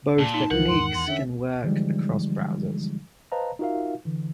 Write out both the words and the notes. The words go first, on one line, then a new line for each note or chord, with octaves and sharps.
Both techniques can work across browsers.
A#2 A5
D#4
C#2 E3 F3 A#4 F#5
E2 G#2 D#3 C6
E2 C6
D3 C#4 E5
D3 E3 F3 G3 G#3 D#4
B4 C5 D#5 F5 A5 A#5
D#4 F4 F#4 A#4 E5 F5
D3 E3